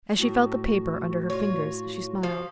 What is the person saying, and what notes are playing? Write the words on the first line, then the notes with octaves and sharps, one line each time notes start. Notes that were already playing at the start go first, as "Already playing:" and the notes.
As she felt the paper under her fingers she smiled.
A2 F#4
F4 C#5
F3 F5